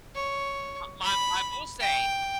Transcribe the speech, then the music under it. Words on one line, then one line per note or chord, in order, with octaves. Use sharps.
M my I will say
C#5
B5
G5